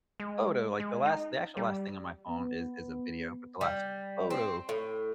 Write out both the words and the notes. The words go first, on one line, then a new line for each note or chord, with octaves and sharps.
photo, like, the last the actual last thing on my phone is is a video, but the last photo
G#3
G#3
D#4
G3
B3
G3
C4
A2